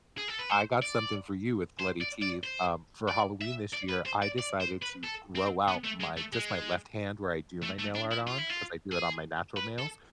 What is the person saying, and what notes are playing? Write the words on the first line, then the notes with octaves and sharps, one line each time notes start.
I got something for you with bloody teeth, um, for Halloween this year, I decided to grow out my just my left hand where I do my nail art on, 'cause I do it on my natural nails.
G#4
A4
B4
C5
D5
C5
D5
D5
C5
D5
E5
D5
B4
C5
D5
D5
C5
B4
A4
C4
B3
A3
G#3
A3
G#3
A3
A3
D4
E4
F4
E4
F4
G#4
B4
A4